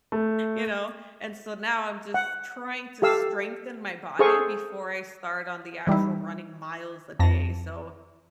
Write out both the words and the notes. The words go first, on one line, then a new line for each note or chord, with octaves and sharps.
You know, and so now I'm just trying to strengthen my body before I start on the actual running miles a day, so
A3
F#5
G4 A4 F5 E6
G#4 A4 C5 F5 C#6 D#6
E3 G3 D#4 E4
F2 A5 A#6